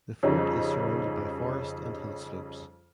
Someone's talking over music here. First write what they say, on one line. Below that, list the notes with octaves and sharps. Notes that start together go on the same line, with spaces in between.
The fort is surrounded by forest and hill slopes.
F2 C#3 G3 C#4 D#4